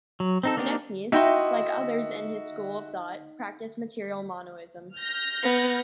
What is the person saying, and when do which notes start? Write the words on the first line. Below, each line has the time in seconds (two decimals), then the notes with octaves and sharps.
Anaximenes, like others in his school of thought, practiced material monism.
0.20 F#3
0.43 C4 D#4 A4
0.57 A#3 C4 D4 D#4 G4
1.12 D#4 E4 F#4 E5 G5 C6
4.95 F6 G6 A#6
5.43 B3